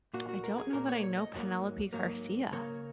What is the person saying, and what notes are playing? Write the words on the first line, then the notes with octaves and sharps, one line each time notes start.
I don't know that I know Penelope Garcia.
A#2 A#3 F#4
F#4
A#4
G#4
A#2 A#3 A#4
C#5
C#5
D#5
G#2 F#3 A#3
G#2 F#3 A#3
C#3 A#3 C#5